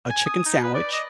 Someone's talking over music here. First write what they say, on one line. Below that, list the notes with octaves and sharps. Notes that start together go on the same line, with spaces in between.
a chicken sandwich.
G#5
D#6
D#4
B4
D5
D#5